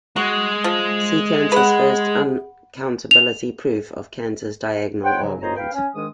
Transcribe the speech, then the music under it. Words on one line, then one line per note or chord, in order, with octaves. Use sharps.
See Cantor's first uncountability proof and Cantor's diagonal argument.
G#3 F#4
F3
G#4 B4 F#5
F7
C5 C#5 F#5 G5
C#3 F3 F#3
A#2 C5 C#5 D#5 A#5
B4 F5 G5
C#4
G#2 D#3 G#3 D4 D#6